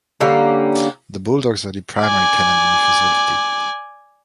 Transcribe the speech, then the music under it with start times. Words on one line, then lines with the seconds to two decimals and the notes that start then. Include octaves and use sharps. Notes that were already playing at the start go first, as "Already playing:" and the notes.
The Bulldogs are the primary tenant in the facility.
0.21 D3 G3 A#3 C#4
2.01 D5 G#5